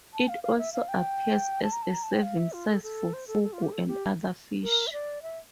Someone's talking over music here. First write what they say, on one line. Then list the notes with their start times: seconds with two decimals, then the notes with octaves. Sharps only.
It also appears as a serving size for fugu and other fish.
0.13 A5
0.28 F5
0.43 F5
0.58 E5
0.73 F5
0.88 G5
1.63 A5
1.72 A#5
1.82 A5
1.93 A#5
2.03 A5
2.13 G5
2.23 F5
2.38 E5
2.52 F4
2.68 A4
2.83 A4
3.13 C5
3.27 A4
3.43 A4
3.53 F4
3.62 G4
3.72 A4
3.88 G4
4.63 A#4
4.87 E5
4.92 D5
5.22 E5